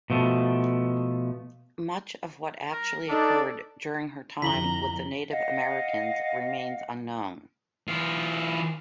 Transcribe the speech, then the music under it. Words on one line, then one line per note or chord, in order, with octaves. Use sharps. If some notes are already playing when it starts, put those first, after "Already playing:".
Much of what actually occurred during her time with the Native Americans remains unknown.
B2 F3 A3
A#4
D4 D#4 A4 D5
F2 D3 E4 A#5 B6 F#7 G7
D#5 F5 F#5
E3 F4